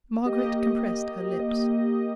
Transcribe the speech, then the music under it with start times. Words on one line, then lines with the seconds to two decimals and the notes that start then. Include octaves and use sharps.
Margaret compressed her lips.
0.25 A#3 G4 D#5